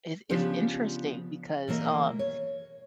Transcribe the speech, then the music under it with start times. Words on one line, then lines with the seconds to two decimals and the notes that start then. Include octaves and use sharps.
it's it's interesting because, um,
0.29 C#3 F3 B3 D4 F4 G4
1.68 B2 E3 A#3 C5 D#5
2.19 C#5